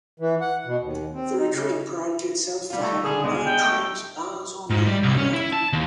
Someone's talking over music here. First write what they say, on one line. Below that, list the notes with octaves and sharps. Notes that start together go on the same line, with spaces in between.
The retreat prided itself for having no tramps, bars, or malaria.
E3
F#5
B2
D#2
C4
D#4
C#3
G3 F4
A3
D3 G3 G#4 A4
B1 G#3 B3 D4
G5
A3
G#2
G3
C2
C#4
E4
A5
D#2